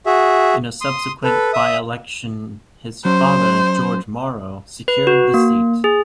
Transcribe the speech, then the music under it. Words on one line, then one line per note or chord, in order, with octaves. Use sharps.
In a subsequent by-election, his father, George Morrow, secured the seat.
F#4 G#4 E5
C6 D#6
A4 B4
E5 D#6
F#3 C#4 C5
B4
F#4
A#3
G#4